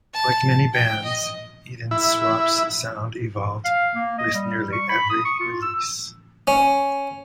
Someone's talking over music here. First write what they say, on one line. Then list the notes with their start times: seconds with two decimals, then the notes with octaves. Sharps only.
Like many bands, Ednaswap's sound evolved with nearly every release.
0.14 A5
0.74 G5
1.04 D#5
1.91 E4
3.65 F5
3.95 A#3
4.18 D#5
4.34 G3
4.73 C#6
4.90 B5
5.10 D#6
5.25 C#6
5.40 F4
5.62 E6
6.47 C#4